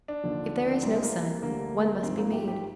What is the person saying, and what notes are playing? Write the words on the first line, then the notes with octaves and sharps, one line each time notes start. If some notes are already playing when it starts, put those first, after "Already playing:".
If there is no sun, one must be made.
D4
D#2 D3 F3
C2 C3 G3 C4
G#3
A#3
D2 D3 G3 A#3
G#1 G2 F3 C4
A#3
G4
G4